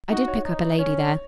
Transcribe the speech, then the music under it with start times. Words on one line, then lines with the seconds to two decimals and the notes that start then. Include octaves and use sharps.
I did pick up a lady there.
0.10 D#4 F#4
0.28 C#5
0.45 D#4
0.79 C#4 C#5